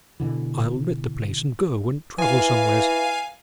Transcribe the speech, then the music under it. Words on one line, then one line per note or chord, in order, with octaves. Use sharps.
I'll let the place, and go and travel somewheres.
B2 D3 E3
E3 F5 G#5